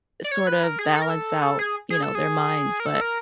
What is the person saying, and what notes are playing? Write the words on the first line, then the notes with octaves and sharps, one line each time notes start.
sort of balance out, you know, their minds, but,
D5
C#5
B4
A#4
G#4
A4
A#4
A4
G#4
G#4
A4
G#4
A#4
A4
A#4